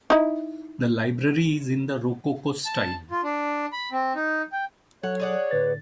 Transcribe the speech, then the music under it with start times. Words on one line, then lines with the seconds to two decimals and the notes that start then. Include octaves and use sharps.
The Library is in the Rococo-style.
0.10 D#4 E4
2.66 A5
3.11 F4
3.24 D4
3.72 B5
3.92 C4
4.15 D#4
4.52 G5
5.03 F#3 A4 C#5 F#5
5.20 G#4 D5 F#5
5.51 A2 D3 B4 A6